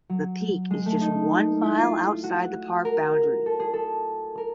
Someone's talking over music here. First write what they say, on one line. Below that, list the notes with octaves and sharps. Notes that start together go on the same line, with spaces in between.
The peak is just one mile outside the park boundary.
F#3
G#3
A3
D#4
E4
F4
F#4
A#4
A4
G#4
A4
A#4